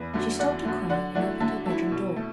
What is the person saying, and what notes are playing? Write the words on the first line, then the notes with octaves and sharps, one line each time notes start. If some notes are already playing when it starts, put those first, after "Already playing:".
She stopped her crying, and opened her bedroom door.
Already playing: E2 B4
D3 F#3 A3
E2 D5 F#5
D3 F#3 A3
D3 D5 F#5
F#3 A3 E4 D5 F#5
D3 E5 A5
F#3 A3 E4 E5 A5
B2
A3